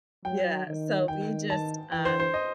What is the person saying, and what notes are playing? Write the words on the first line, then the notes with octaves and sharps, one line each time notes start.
yeah, so we just, um
F#3 G5
D#3
D#3 G5
A5
E3 G5
C5
C5
D#5